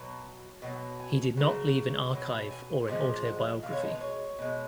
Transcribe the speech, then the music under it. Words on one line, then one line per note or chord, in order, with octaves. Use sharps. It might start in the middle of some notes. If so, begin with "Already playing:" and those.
He did not leave an archive or an autobiography.
Already playing: B2 F#3
B2 F#3
G#5
C#3 F#3 F#5
B2 F#3
G#5
A#2 F3 G#3
F#5
B2 G#3 F5
C#5
D#4
B4
C#5
B2 G#3